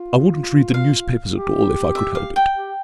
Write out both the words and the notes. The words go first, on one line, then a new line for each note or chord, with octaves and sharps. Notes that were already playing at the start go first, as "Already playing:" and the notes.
I wouldn't read the newspapers at all if I could help it.
Already playing: F4
F5
G4
E5
F5
G5
G4